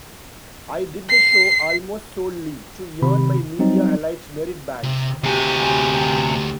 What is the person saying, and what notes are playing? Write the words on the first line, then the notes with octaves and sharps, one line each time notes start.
I did the show almost solely to earn my media-elite merit badge.
C7
C3 D#3 B5
F#3 G3 C4 D#4
C3
D2 C3 F#4 G4 G#5